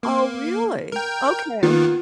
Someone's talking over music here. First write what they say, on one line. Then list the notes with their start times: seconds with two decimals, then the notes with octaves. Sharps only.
Oh, really? OK.
0.03 A#3
0.92 A#4 G5
1.63 D#3 A#3 B3 F4